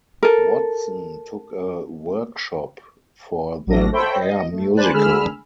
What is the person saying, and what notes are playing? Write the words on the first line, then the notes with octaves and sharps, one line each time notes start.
Watson took a workshop for the "Hair" musical.
A4 A#4
A1 F#3 A3 D4 A#6
A4 C5 C#5 E5 G5 B5
D#5
A3
B4 C5 D5 G#5 A5 F#6
D3 G#3 G#4 B5 E6 F6